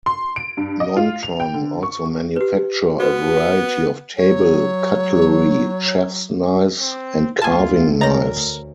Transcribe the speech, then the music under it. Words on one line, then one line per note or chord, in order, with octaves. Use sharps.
Nontron also manufacture a variety of table cutlery, chefs knives, and carving knives.
C6
D7
G2
D#5
F4
F7
G5
D3
C#6
G4 B4
B3 F#4 B4
F#3 C#5
C4
D2 F4 G#5 A5
A#4 C#5 D#5 A#5 A#6